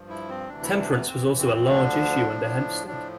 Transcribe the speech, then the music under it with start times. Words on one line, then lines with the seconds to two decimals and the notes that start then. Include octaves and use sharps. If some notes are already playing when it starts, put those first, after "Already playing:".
Temperance was also a large issue under Hempstead.
Already playing: G2 F3
0.09 E4
0.29 C4
0.48 D2 C3 E3 D4
0.63 E4
0.79 D4
0.94 B3
1.08 F2 E3 C4
1.38 C4
1.53 C4
1.68 D2 D3 F3 D4
2.27 A2 F3
2.87 A2 F3 D4